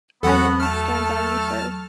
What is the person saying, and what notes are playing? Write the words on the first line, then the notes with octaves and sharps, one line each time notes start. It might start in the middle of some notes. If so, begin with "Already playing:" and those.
I knew you'd stand by me, sir.
E2 F#3 B3 F#4 A4 F#5
A3 A4 A5 F6